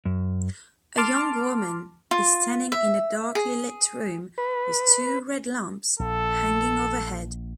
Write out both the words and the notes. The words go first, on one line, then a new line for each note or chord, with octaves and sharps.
A young woman is standing in a darklylit room with two red lamps hanging overhead.
F#2
A5 C6 D6 F6
F4
E5
G#4
B4
A#1 A4